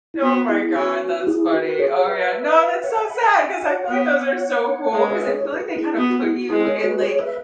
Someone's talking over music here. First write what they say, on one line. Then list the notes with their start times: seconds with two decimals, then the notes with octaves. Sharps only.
Oh my god, that's funny. Oh, yeah, no, that's so sad 'cause I feel like those are so cool 'cause I feel like they kinda put you in, like,
0.14 E4
0.22 B3 F#4
0.49 E4 G#4
0.75 C#4 F#4
1.27 E4 G#4
1.53 F#4 B4
1.79 G#4 C#5
2.05 B4 E5
2.84 C#5 F#5
2.96 E5 G#5
3.10 F#5 B5
3.23 E5 G#5
3.36 E5 G#5
3.62 C#5 F#5
3.88 B3 C#5 F#5
4.93 G#3 G#4 C#5
5.10 B4 E5
5.27 G#4 C#5
5.45 G#4
5.53 B4
5.61 G#4
5.68 B4
5.76 E4 G#4
5.97 B3 F#4
6.10 F#4
6.23 E4
6.37 F#4
6.49 G#3 E4 G#4
6.67 G#4 C#5
6.84 F#4 B4
7.01 G#4 C#5
7.19 B4 E5